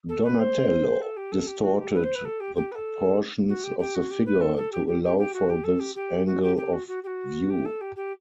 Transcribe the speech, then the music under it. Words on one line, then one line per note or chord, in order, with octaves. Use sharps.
Donatello distorted the proportions of the figure to allow for this angle of view.
A4
B4
C5
A4
G4
A4
G4
F#4
G4
B4
C5
B4
A4
G4
G4
B4
A4
F#4
G4
G4
F#4
G4
B4
A4
A4
G4
G4
G4
G4
F#4
G4
A4
G4
G4
F#4
G4
G4
F#4
F#4
G4
F#4
G4
A4
G4
G4